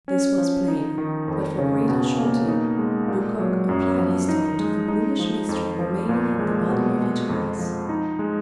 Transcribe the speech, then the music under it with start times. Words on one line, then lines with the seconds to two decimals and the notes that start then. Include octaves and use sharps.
This was plain, but for greater surety, Lecoq applied his tongue to the bluish mixture remaining in the bottom of each glass.
0.08 C#4
0.38 F3
0.68 D#4
0.98 D#3
1.28 F2
1.59 C#3
1.89 B2
2.18 A#3
2.48 D#4
2.78 G#3
3.08 A#2
3.39 F#3
3.69 F#2
3.99 F3
4.29 D#4
4.59 G#3
4.88 D#4
5.19 F3
5.49 F2
5.79 F3
6.09 A#2
6.39 G#3
6.69 B2
6.99 G#3
7.29 F2
7.59 F3
7.89 D#4
8.19 G#3